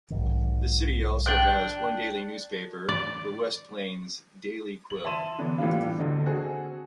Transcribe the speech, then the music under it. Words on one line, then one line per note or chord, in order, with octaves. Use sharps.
The city also has one daily newspaper, the "West Plains Daily Quill".
B1 G#2 D#3
D4 G5 F#6
D5
F#7
E5 A5 C6 D#7 E7
D3 E3 B3 D4
A2 E3 G3 D4 F4
D2 D3 D#5
C4 F#4 G#4 A4